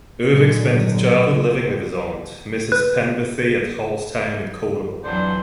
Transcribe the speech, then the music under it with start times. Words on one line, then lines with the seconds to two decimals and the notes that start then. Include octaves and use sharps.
Irving spent his childhood living with his aunt, Mrs Penberthy, at Halsetown in Cornwall.
0.22 A#2 D3 F#3 G#3
2.72 B4
5.04 F2 E3 F#3 D4 C5